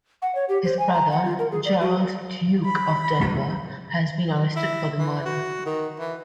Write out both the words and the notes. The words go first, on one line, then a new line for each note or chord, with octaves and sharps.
His brother, Gerald, Duke of Denver, has been arrested for the murder.
F#5
C#5
G4
C5
G#5
A#5
F#5
F4
A#4
G#4
D5
F#4
B5
E4
E3
F#4
D#3
E3